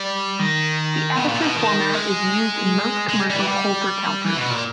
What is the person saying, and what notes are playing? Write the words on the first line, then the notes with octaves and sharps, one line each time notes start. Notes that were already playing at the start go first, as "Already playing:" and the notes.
The aperture format is used in most commercial Coulter counters.
Already playing: G3
D#3
B2
A#2
B2
D#3
G#3
G#3
G3
E3
G3
E3
B2
A#2